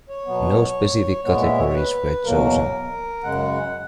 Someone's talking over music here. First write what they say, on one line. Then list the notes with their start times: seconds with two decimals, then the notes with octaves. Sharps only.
No specific categories were chosen.
0.09 C#5
0.26 B2 F#3 B3
1.24 A#2 G#3 B3 C#5
1.42 E5
1.58 C#5
1.68 C#5
1.74 B4
2.24 E2 B2 F#3 A#3 A#4
3.24 F#2 C#3 G#3 F#5